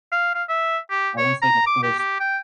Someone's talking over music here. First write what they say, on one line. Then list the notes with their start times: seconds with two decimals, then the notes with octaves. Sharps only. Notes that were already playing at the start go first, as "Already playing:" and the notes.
I wanna say the first
0.12 F5
0.35 F5
0.49 E5
0.90 G4
1.18 C#5
1.42 A#5
1.67 D6
1.83 G4
1.99 G4
2.20 G5